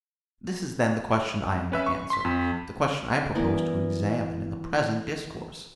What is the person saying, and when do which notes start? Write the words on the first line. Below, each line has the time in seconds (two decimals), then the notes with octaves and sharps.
This is then the question I am to answer, the question I propose to examine in the present discourse.
1.72 C#4 B4 E5
1.86 C#6
2.10 C6 B6
2.25 F2
3.35 E3 B3 A#4 D5